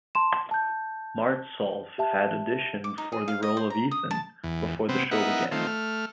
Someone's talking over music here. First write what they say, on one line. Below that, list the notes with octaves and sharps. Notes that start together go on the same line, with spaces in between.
Martsolf had auditioned for the role of Ethan before the show began.
A5 C6 E7
A5 G6
G4 E5 A5
D6
D#4
G#4
F5
D#5
C5
A#5
D#6
A5
E2
C3 B3 C4
B3 D#4 E4 A#4 F#5
D#3 A3 C4 F4
A3 F6